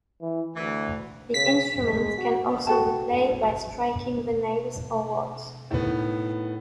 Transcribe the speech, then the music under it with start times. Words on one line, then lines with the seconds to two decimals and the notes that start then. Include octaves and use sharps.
The instrument can also be played by striking the nails or rods.
0.22 E3
0.56 D2 E3
1.34 C#3 B6
1.84 G#3
2.18 F#4
2.67 F#4 A4 G5 A5
5.71 A2 D#3 B3